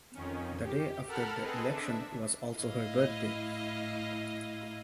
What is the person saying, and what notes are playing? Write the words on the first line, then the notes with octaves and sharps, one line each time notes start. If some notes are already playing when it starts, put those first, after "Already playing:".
The day after the election was also her birthday.
F2 D#3 C#4
G4
A4 A#4 F#5 A5 B5 F6
C4 G#4 A4 B4 D#5
D4 E5
A2 E4 D#5 F5